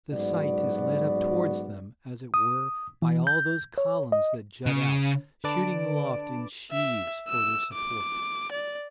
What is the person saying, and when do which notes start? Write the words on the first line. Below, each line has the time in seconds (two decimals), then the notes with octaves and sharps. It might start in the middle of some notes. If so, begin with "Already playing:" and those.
The sight is led up towards them, as it were, by all those columns that jut out, shooting aloft in sheaves, for their support.
0.12 A1 G#2 F#3 B3 F#4 D5
2.34 D#6
3.02 E3
3.27 G6
3.78 C#5
4.12 D#5
4.66 C#3
5.44 D3 B4 D5 A5 D7
6.71 E5
7.29 E6
7.73 D6
8.51 D5